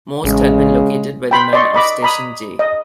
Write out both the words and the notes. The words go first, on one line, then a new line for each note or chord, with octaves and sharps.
Most had been located by the men of Station J.
A1 C#3 G#3
G5 B5 C6
D5 D#5 C6 C#6
D#5 B5 D6
A#5 B5 D#6
D#5